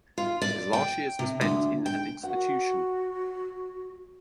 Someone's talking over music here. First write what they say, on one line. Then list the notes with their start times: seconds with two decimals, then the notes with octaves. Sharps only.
His last years were spent in an institution.
0.18 F4
0.42 D5
0.73 G5
1.19 C3
1.41 D2
1.86 G5
2.23 F#4 F#5